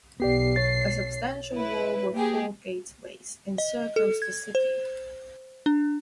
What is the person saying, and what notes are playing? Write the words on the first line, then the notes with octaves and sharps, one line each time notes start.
A substantial wall with four gateways encircles the city.
B1 B3 G4 D5 C7
C#5 A6
E4 B4
A#3 G4 G#4
D#5
A4
G#6
C5
D4